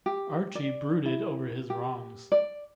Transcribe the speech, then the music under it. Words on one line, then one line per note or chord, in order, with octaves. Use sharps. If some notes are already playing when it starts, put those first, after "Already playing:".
Archie brooded over his wrongs.
G4
D5
E4
G4
D5